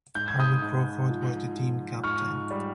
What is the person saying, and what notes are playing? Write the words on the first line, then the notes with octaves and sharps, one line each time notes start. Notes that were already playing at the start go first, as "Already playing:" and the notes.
Harry Crawford was the team captain.
G#2 G6
G#6
D#6 G6
G#2
F3
F3
G#2 C#6 F6
G3